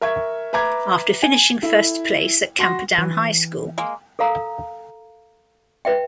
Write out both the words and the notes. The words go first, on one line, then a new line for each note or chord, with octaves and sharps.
After finishing first place at Camperdown High School.
A#4 E5 C#6 G#6
B4 E5 A#5 D6 G#6
G#5
E4 A4
F#4 C6 A#6
E3
G#3 A#3
A4 A#4 F5 A#5
B4 E5 G5